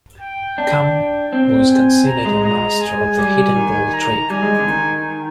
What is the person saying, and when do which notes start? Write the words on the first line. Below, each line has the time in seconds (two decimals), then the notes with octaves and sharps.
Kamm was considered a master of the hidden ball trick.
0.20 G5
0.58 D4 G5
1.33 C4
1.70 G#5
2.07 A#5
2.25 G#3
2.44 G#3 A#5
2.81 G#5
3.18 G3 G#5
3.56 D#3
3.93 A#5
4.30 G3 G#5
4.42 G#3
4.59 D3
4.68 D#3